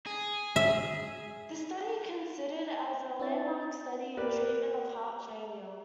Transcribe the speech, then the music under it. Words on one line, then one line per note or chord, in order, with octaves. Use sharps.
This study considered as a landmark study in treatment of heart failure.
G#4
E5
C4 D4 E4 C#5 E5 A6
A#3 G4 B4 D5